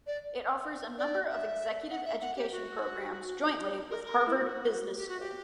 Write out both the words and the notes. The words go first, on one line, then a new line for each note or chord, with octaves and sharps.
It offers a number of Executive Education programs jointly with Harvard Business School.
D5
D5
E5
F#5
E5
F#5
G4
F#4
A#4
A#4
E4
F#4
G4
F#4
G4